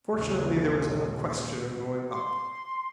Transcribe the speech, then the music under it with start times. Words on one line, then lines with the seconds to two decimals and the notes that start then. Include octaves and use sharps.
But fortunately there was no question of going up.
0.14 A#1 D#2 C#3 G#3
2.12 C6